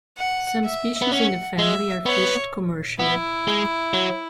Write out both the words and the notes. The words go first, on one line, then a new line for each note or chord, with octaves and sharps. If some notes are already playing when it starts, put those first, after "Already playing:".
Some species in the family are fished commercially.
F#5
E5
B3
C#4 F#5
G#3 E5
B3 C#5
B3 E4
G#3
F#3